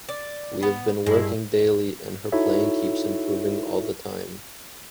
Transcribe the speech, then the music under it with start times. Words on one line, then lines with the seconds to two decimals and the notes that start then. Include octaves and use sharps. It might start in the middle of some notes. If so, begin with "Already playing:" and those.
We have been working daily and her playing keeps improving all the time.
0.09 D5
0.63 B3
1.06 G2 G#3 E4
2.32 D#4 E4 F#4 A4 C#5 E5